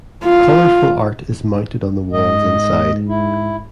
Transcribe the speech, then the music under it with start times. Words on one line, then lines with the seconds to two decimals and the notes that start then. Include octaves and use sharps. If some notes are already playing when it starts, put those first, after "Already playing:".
Colourful art is mounted on the walls inside.
0.24 F4
2.13 G#2 D#5
3.08 E4